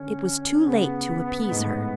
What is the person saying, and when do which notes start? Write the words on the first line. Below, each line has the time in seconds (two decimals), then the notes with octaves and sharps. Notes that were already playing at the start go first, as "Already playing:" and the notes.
It was too late to appease her.
Already playing: D3 C#4
0.67 C#3 B3
1.51 G#2
1.56 A2